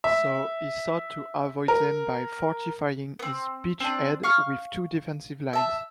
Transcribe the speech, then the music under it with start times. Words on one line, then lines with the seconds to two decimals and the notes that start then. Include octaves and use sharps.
So, he sought to avoid them by fortifying his beachhead with two defensive lines.
0.04 E5
1.68 A#4
3.19 B3 C4
3.80 C4 D4
4.23 F5 C#6 F6
5.53 E5 A5